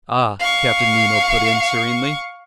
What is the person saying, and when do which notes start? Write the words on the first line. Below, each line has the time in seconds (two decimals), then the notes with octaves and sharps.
"Ah!" Captain Nemo put in serenely.
0.40 F5 C#6